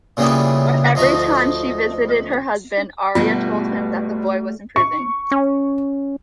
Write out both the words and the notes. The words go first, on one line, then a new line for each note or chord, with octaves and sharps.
Every time she visited her husband, Arria told him that the boy was improving.
A#2 C#3 E3 G3 B3
D2 F3 D#4 A#5 C#6
G1 B2 G3 A3 B3 F4 F#4
C#6
C#4